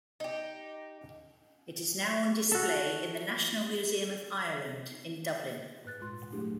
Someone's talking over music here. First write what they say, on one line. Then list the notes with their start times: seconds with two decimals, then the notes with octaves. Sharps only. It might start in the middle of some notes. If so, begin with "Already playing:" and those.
It is now on display in the National Museum of Ireland in Dublin.
0.20 D#4 G4
2.52 F#4 A4
5.85 G#2 B4 F#6 A6
6.00 D2 A#2 G#3 F4 C6
6.32 F#3 A3 D4 E4 G4 G#4